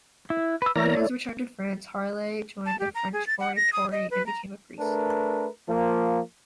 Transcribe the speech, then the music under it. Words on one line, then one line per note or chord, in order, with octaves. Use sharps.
On his return to France, Harlay joined the French Oratory and became a priest.
E4
B4 E6
E3 A#4 C#5 D5 A#5
A3 E4
A5
G4
A#5
G#4
A6
F#5
A#6
D#6
D#5
B4
A#5
A3 D4 A#4 B4
F3 A#3